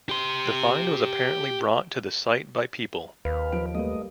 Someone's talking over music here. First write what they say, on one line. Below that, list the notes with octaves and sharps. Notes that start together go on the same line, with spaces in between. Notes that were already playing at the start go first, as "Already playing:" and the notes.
The find was apparently brought to the site by people.
G4 C6
D#2 B4 F5
F3 D7
G3 A3 A#3 B4 D#5